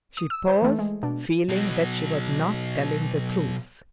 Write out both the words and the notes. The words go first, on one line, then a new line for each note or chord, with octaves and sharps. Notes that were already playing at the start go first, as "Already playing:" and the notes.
She paused, feeling that she was not telling the truth.
D#6
E6
C5
E3 A3
G#3
B2 D4
B2 F#3